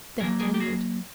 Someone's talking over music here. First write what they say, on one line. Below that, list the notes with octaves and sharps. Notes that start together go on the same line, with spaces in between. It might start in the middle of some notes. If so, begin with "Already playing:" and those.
Then it ended.
A2 F#3 A#3 G#4 A#4
G#4 A#4
G4
F#4 G#4